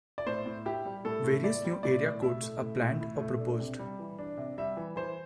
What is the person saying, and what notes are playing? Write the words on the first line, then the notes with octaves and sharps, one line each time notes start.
Various new area codes are planned or proposed.
D5
A2 C5
A2
E4 G4
G3
A2 A4
A2
E4 D5
G3
A2 D5
A2
E4 E5
A3
A2
A2
E4
A3
D4
C3
G3
E3
D4
C3
G3 E5
E3
E3 C5